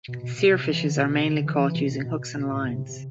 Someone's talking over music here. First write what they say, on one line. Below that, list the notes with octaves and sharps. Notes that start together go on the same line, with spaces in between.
Seerfishes are mainly caught using hooks and lines.
B2
B2
B2
C3
E3
D3
B2
C3
D3
E3
E3
C3
B2
B2
B2
A2
C3
C3